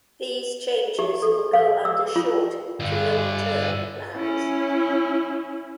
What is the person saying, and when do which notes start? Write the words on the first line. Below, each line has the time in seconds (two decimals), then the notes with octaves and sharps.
These changes will go under short to long term plans.
0.99 G4
1.22 A4
1.53 F5
1.85 E6
2.16 F4
2.80 G2 D3
4.16 C#4 E4